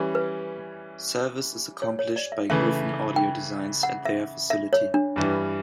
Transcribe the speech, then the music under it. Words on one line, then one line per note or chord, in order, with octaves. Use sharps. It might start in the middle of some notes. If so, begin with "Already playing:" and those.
Service is accomplished by Gryphon Audio Designs at their facility.
Already playing: E3 G3 C#4
B4
C#5
C#5
D5
E5
C#3 E3 A3 E5
G5
F#5
E5
E5
C#5
D4
G2 E3 G3